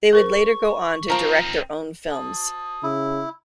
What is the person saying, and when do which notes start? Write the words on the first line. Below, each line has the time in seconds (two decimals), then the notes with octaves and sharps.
They would later go on to direct their own films.
0.13 G#4 A#4 C5 C#6
1.10 F3 C4 D#4 A#4 A#5
2.11 A5 D#6
2.83 C#3 E4